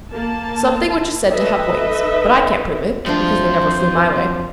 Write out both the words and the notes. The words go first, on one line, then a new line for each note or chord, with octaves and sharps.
Something which is said to have wings, but I can't prove it, because they never flew my way.
A#3 A5
D#4 A4 B4 D#5 E5
F2 F3 A3 D4 F4 C5